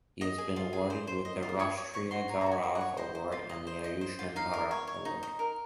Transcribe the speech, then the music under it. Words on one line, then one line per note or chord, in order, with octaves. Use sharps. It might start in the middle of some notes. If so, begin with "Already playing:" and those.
He has been awarded with the Rashtriya Gaurav Award and Ayushman Bharat Award.
D#5 D#6
G#4
F4
G#4
C5
C5
D#5
F4
D#6
C#5 C#6
C#5 D#6
C#5 C#6
F#4 C6
C#5 A#5
A#5
F#4
G#5
F#4
F#5
C#5
C5 D#5
C5
F4
D#5
C5
D#5
C5
F4
D#4 F5
A#4
C#5
C#5
D#4
D#4
A#4